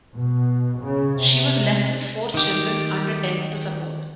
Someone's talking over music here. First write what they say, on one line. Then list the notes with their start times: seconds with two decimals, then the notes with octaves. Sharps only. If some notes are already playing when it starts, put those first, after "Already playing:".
She was left with four children under ten to support.
0.13 B2
0.79 C#3
1.17 C3
2.34 D#3 G4